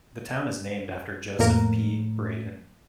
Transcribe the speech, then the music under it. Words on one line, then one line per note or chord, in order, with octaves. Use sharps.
The town is named after Joseph P. Braden.
F2 A2 A#3 A#4